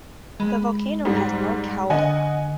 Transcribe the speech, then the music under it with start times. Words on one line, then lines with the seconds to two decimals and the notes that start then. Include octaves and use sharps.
The volcano has no caldera.
0.40 G#3 B5
1.05 G#2 G3
1.90 D3 D#5 F#5 G#5